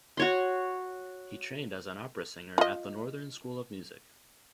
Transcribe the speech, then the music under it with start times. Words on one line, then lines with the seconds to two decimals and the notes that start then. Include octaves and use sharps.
He trained as an opera singer at the Northern School of Music.
0.17 F#4 C#5 C6
2.58 F4 D#5